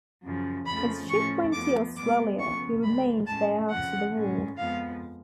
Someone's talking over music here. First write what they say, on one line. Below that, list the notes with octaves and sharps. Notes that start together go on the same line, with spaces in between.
His ship went to Australia; he remained there after the war.
F#2 C#3 F3
F2 C#3 F3 A3 B5
A2 F3 A3 C#4 C#6
F2 F3 B3 D6
B2 G#3 B3 D6
C#3 F3 B3 C#6
D2 D3 G#3 B5
A2 G#3 C#4 A5
F2 C#3 F3 F#5
A2 G#3 C#4
F2 F3 G#3 B3 F5